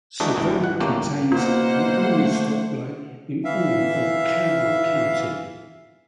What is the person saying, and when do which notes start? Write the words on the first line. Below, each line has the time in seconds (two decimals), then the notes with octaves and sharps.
Savanna contains the only stoplight in all of Carroll County.
0.20 E3 G#3 D4 D#4 F#4 A4
0.36 G#1 D2 G2 E3
0.64 F#5
0.80 G1 C2 A3 A#3 C#4 G4
1.32 E2 B2 A#3 F4 C5 F#5
2.00 A3
3.45 E3 E5 F5